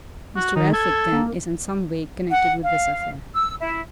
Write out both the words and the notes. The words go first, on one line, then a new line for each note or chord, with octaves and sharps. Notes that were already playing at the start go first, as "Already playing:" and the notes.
"Mr. Elphick, then, is in some way connected with this affair."
F#4
D#3 D#4
A4 G#6
A#3
F#5
F5
E6
E4